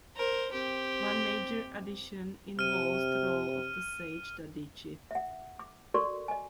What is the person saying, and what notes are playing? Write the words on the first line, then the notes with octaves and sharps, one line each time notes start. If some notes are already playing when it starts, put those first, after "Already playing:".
One major addition involves the role of the Sage Dadhichi.
A#4 C5
C4 G4
C3 F6 D#7
E5 F#5
D6
F#4 A4 A#4 D5 C6 C#6
D#5 G#5